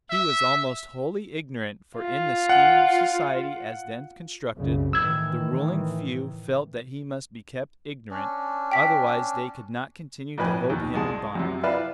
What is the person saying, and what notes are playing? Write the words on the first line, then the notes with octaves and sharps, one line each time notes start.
He was almost wholly ignorant for in the scheme of society as then constructed, the ruling few felt that he must be kept ignorant, otherwise they could not continue to hold him in bondage.
E5
F4
F#5
C2 F#2 C#3
A2 D#3 E3 E6 G#6
C#4 D4
G5 B6
F2 A2 B4 G#5 F#6
D#2
C2 G#3 A5
F#2 C3
E4 B4 D5 E5 F5